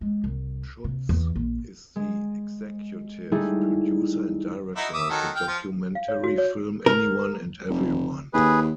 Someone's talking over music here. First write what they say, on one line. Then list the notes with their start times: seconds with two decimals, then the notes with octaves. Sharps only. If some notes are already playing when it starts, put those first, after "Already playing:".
Schutz is the executive producer and director of the documentary film Anyone and Everyone.
0.01 G#3
0.24 C2
0.84 C3
1.09 E2
1.35 A#1
1.96 G#3
3.32 G3 A3 D#4 E4 G#4
4.76 D#4 E4 F#4
4.94 E5 D6 D#6
5.10 D#3 F#3 A4
5.35 F5 G5
5.48 F3 F4
5.95 F5
6.08 C#5
6.24 F#4
6.38 C#5
6.86 A#4
7.70 F1
8.34 D#2 G#4 B4